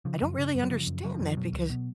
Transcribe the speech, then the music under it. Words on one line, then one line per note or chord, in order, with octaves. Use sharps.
I don't really understand that because
C#3 F3
F#2
C#3
F#2
F#3
C#3 F3
F#2
C#3 F#3
F3
F#2 D#3
F3
B2 F#3
C#2
B2